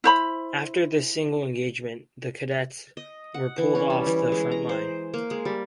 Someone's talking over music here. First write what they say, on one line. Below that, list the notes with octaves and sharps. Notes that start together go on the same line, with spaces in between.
After this single engagement, the cadets were pulled off the front line.
E4 C5 B5
D#5
F#5
E3
C#4
G3
E3
G#3
A#5
C5
A#3
G#3
G3